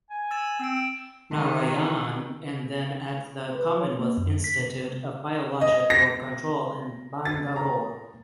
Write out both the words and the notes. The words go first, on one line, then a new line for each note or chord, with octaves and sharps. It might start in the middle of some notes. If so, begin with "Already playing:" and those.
Narayanan and then at the Commonwealth Institute of Biological Control in Bangalore.
G#5
E6 A6 E7
C4 E6 D7
D7
D#3
B4
C#5
A#3
F#2
B6
C3
D#5
A#6
A6
A#5